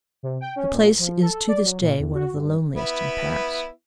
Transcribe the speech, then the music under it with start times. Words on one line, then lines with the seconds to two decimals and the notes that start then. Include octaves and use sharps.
The place is to this day one of the loneliest in Paris.
0.23 C3
0.41 G5
0.56 C#4
0.72 A#2
0.99 F3
1.22 A4
1.48 D5
1.64 F#3
1.82 A#2
1.98 E2
2.14 F#4
2.34 G2
2.76 B3 E4